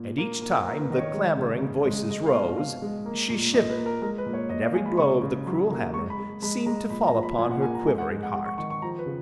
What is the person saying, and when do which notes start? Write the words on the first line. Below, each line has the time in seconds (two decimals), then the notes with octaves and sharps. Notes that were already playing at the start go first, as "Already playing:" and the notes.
And, each time the clamouring voices rose, she shivered, and every blow of the cruel hammer seemed to fall upon her quivering heart.
Already playing: A#2
0.18 A#3
0.42 A#3
0.66 A#3 A#4
0.81 B4
0.90 D#3 D#5
0.98 C#5
1.13 G#3
1.38 C#3
1.62 C#3
1.85 G#3
2.10 G#3 D#5
2.26 F5
2.34 B2
2.58 B2 F5
2.82 G#3
3.06 A#3
3.30 A#2
3.54 A#2 D#5
3.70 B4
3.77 A#3
3.86 A#4
4.02 G#3 A#4
4.18 B4
4.26 A#2
4.34 C#5
4.49 A#2 D#5
4.62 F5
4.74 G#3 G#5
4.86 B5
4.97 C#3 C#6
5.22 C#3
5.46 F#3
5.70 A#3
5.94 G#3 C#6
6.10 B5
6.18 G#3
6.42 G#3 B5
6.66 G#3 A#5
6.90 A#2 B5
7.06 A#5
7.15 F3
7.23 B5
7.38 A#2 G#5
7.51 F#5
7.62 A#3 G#5
7.75 A#5
7.86 G#3 G#5
7.98 F#5
8.10 G#3 F#5
8.23 F#5
8.34 G#3 F#5
8.46 C#6
8.58 D#3 C#6
8.70 C#6
8.82 F3 A#5
8.99 B4
9.06 C#3